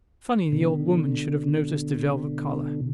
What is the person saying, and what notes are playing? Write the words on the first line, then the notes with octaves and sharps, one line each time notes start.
Funny the old woman should have noticed the velvet collar.
B2 D3